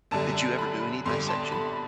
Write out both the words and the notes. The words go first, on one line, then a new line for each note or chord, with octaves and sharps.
Did you ever do any dissection?
F#2 D3 G3 A5
B5
F2 D3 G3 C6
A5
B5